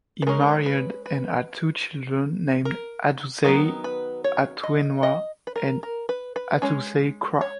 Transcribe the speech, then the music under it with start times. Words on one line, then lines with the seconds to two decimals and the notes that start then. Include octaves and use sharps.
He married and had two children named Adusei Atwenewa and Adusei Kra.
0.22 B4
0.27 G#3 C#4 A#4
0.66 B4
1.06 B4
2.65 A#4
3.44 D#3 F#3 B3 A#4
3.84 B4
4.24 C#5
4.63 D#5
5.03 D#5
5.47 B4
5.56 A#4
5.83 A#4
6.09 B4
6.36 B4
6.62 G#3 C#4 C#5
7.41 C#5